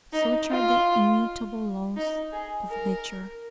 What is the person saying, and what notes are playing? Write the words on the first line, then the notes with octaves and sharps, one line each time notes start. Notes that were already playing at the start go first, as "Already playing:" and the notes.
Such are the immutable laws of nature.
D#4
F4
D#4
G#4
A#4